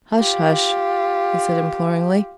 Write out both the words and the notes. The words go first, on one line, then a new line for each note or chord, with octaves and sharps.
"Hush--hush!" he said imploringly.
F4 G4